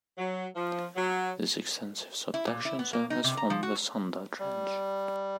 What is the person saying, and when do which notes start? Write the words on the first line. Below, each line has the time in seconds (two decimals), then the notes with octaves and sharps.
This extensive subduction zone has formed the Sunda Trench.
0.18 F#3
0.55 F3
0.96 F#3
2.34 E4
2.47 A#2
2.65 E4
2.79 B3
2.93 A#3
3.10 D#4
3.24 C3
3.37 A#5
3.50 F3
3.63 F#4
4.39 G3